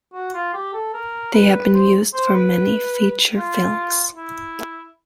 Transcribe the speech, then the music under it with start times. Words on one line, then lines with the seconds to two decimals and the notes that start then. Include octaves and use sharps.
They have been used for many feature films.
0.14 F#4
0.34 F4
0.53 G4
0.73 A4
0.94 A#4
1.33 B4
1.74 C5
2.14 C5
2.34 B4
3.34 F4
4.14 E4